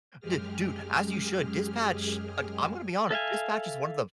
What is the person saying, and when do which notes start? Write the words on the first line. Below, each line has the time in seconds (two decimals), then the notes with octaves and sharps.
D Dude, as you should. Dispatch I I'm gonna be honest. Dispatch is one of the
0.20 F#2 G#3 G4 G#4 F6
3.11 A4 E5 F5 G#5